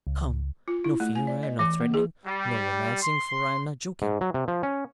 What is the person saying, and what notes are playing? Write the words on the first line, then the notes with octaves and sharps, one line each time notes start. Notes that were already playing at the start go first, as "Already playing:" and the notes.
"Come! no fear, I am not threatening; no romancing, for I am not joking."
C#2
F4
E4
A3
G#5
D5
D#5
E3
A#3
G#4
G3
C6
G#2
F#3
C3
F3
C#4